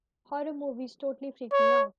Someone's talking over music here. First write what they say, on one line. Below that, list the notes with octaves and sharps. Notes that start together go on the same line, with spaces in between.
Horror movies totally freak me out.
C#5